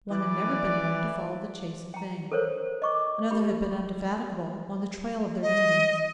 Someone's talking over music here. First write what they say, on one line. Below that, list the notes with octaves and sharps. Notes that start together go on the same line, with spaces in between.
One had never been known to follow the chase in vain; another had been indefatigable on the trail of their enemies.
E3 B4 D5
G5 A#5
A4 A#4 C5 C#5
D#5 C#6 D6
G4 B5
D#5